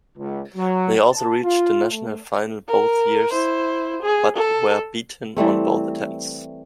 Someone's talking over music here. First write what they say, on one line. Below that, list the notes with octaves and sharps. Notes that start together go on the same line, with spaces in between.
They also reached the national final both years but were beaten on both attempts.
C#2
F#3
A5
F4
A3
A#4
E4 C5
G#4
A4
E3 G3 A3 C4